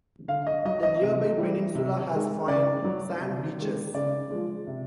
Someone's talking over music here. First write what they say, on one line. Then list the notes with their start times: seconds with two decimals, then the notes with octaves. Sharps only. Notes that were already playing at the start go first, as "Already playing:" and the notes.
The nearby peninsula has fine sand beaches.
0.28 D3 F5
0.47 D#5
0.65 F#3 D#5
0.83 D#5
1.02 C3
1.38 E3 G3
1.75 C3
2.11 D#3 G#3
2.47 C#3 D5
2.84 F#3
3.21 C3
3.58 D#3 G#3
3.94 C#3 D5
4.31 F3 G#3
4.67 C3